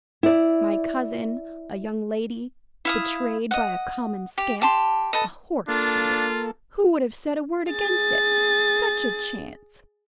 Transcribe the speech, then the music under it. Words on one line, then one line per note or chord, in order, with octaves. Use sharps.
My cousin, a young lady, betrayed by a common scamp--a horse, trader--who would have said a word against it? Such a chance!
E4 D5
E4 F5 D#6
D#5 F#5
G4
G4 A5 C6
A4 B4 D#5
A#3 D4 F4 A4
G#4 A6